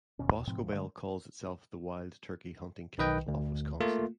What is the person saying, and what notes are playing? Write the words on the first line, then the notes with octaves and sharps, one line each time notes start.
Boscobel calls itself the "wild turkey hunting capital of Wisconsin".
D1 D#2 B2 C#4
D#2
G#2 B2 F3 C4
D2 F3
D3 G#3
B1 D#3 B4 D#5 G5
D2
A3 A#3 F4